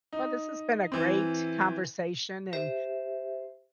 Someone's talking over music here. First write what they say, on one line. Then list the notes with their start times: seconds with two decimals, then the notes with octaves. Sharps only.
Well, this has been a great conversation, and
0.13 D#4
0.92 E3 C4
2.53 G4 C5 E5